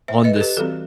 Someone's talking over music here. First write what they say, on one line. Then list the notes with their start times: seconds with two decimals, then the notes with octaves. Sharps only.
on this,
0.08 C5 E5
0.24 B4 D#5
0.36 A4
0.40 G4 B4
0.57 E3 G3 C4 F#4 A4